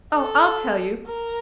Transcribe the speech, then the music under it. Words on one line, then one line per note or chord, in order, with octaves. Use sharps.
Oh, I'll tell you!
A4
A#4